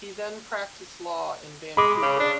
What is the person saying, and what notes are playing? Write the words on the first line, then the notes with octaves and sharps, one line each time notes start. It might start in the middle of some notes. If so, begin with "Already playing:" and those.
He then practiced law in Vancouver.
G#3 B5 D6
C#3
D4